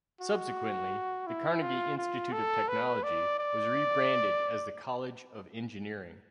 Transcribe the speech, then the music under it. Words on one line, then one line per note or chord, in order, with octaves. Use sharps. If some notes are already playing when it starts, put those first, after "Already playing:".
Subsequently, the Carnegie Institute of Technology was re-branded as the College of Engineering.
F#4
E4
F4
F4
A4
B4
D5
D5